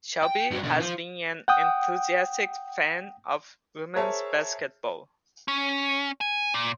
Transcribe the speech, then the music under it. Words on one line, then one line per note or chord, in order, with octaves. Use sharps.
Shelby has been an enthusiastic fan of women's basketball.
G5
G2 F#3
B2 D3
F4 C5
F#5 G5 D#6
G#4 A#4 C5 C#5 E5 A5
C#4
G#5
A#2